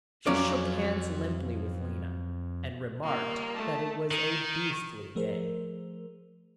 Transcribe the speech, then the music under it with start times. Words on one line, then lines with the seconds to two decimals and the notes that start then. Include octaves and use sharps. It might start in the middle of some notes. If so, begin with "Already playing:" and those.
She shook hands limply with Lena, and remarked that it was a beastly day.
0.27 F2 F#3 C#4 F4 D5
3.03 G3 A#3 F4 C#5 D#5
3.54 A3 A5
4.11 D#3
5.15 F3 A3 G#4 A#4 C5